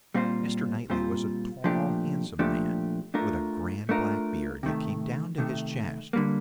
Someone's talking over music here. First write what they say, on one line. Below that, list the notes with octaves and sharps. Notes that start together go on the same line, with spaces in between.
Mr. Knightley was a tall, handsome man, with a grand black beard that came down to his chest.
A#2 G3 C4 F4 C5
A#2 G3 C4 F4 C5
A#2 F3 A3 D4 G4
A#2 F3 A3 D4 G4
A3 D4 F4 A#4
A3 D4 F4 A#4
C3 D#3 A3
C3 D#3 A3
D3 G3 A#3